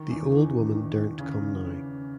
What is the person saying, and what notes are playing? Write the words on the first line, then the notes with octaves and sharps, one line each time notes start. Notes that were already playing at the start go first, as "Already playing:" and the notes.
The old woman daren’t come now.
Already playing: D#3
E2 E3
E2 E3
D#3
D#3
C#3